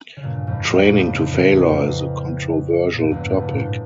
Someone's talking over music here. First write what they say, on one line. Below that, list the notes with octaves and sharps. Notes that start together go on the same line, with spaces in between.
Training to failure is a controversial topic.
C#3
G2 A#2
F2 A2
F2
A#2
A2 C#3
A2 C#3
E2
E2
F2
C#3
A#2
A2
E2 G2
F2 A2
C#3
G2 A#2
A2